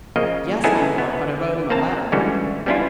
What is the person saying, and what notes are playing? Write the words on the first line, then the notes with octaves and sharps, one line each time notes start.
"Yes, my lord; but I wrote him a letter."
C#3 F3 A#3 D#5
B3 C#4 D#4 E4 G#4 A4
B3
A#3 C4 A5 A#5
C#2 D3 E3 G3 C#4 F#4
G3 B3 C#4 D4 E4 F4